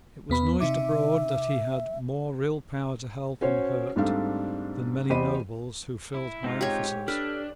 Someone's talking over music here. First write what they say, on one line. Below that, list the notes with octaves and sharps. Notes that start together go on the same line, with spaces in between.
It was noised abroad that he had more real power to help and hurt than many nobles who filled high offices.
E2 B3 B5
C3 D#4 E5 D6
C#4 F#4 C5 C#5
G#2 G3 A3 C4 D4 F5
E2 G4 C5 D#5 B5 D#7
E4
G#2 C4 D#4 F4
G4 C#5
D4 G4 A4 B4 F6